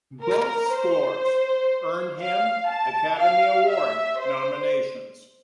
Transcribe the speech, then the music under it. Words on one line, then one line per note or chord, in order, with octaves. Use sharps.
Both scores earned him Academy Award nominations.
A#4
C5
F5
A5
F5
E5
C5